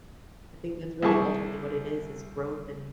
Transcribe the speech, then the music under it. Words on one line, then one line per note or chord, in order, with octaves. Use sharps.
I think that's really ultimately what it is, is growth, and
C2 E4 G#4 A5 C#6